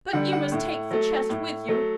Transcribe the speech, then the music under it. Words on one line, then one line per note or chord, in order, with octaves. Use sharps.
'But you must take the chest with you.
D3 G3 F#5
F#5
A2
F#3 A3
A2
F#3 A3